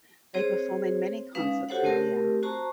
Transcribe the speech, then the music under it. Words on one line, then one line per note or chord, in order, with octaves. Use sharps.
They perform in many concerts a year.
C4 G#4 C5 C#5
G#3 C#4 D#4 B4 F5
F#4 G4 A4 C5 C#5 F#5
A3 C4 G4 A#4
F#4 C5 A5 A#5 C#6